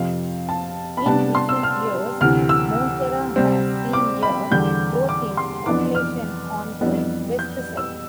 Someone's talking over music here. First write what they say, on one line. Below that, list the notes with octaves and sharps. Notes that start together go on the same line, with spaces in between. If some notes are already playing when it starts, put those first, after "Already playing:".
In recent years, Monteria has seen a growth in population on the west side.
Already playing: F2 C3 F3 C4 F5
A5
B5
C3 G3 B3 D4 A5
C6
E6
F6
D2 C3 E3 F6
E6
C3 G3 C4
D6
B5
E2 D3 G3 G6
D6
C6
F2 E3 B3 D4 D6
F6
F2 E3 G3 B3 D4
G6
E6